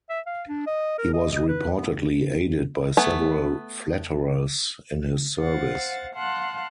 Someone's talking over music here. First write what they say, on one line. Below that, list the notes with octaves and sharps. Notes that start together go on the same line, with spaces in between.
He was reportedly aided by several flatterers in his service.
E5
F5
D4
D#5
A#4
D#5
D#5
B4
B3
A3 B3 G#5
C5 F5 F#5 A6
F5 F#5 A5 C6 F#6